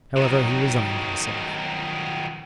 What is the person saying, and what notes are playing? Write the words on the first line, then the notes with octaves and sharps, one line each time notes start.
However, he resigned himself.
D#3 F#3